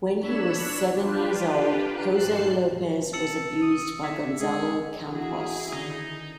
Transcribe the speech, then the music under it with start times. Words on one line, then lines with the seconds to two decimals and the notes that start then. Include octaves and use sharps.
When he was seven years old, Jose Lopez was abused by Gonzalo Campos.
0.20 D4 C#5 B5 E6 E7
0.98 D4 F4 G4 B4
2.11 G#2 G3 A5 F#6 C7
3.13 A5 E6 C#7 F#7
3.62 D#6
4.03 E5 D6
4.40 G#3 G#4
5.12 E3 E4 F#4 G#4
5.73 D3 D#3 C#4 D#4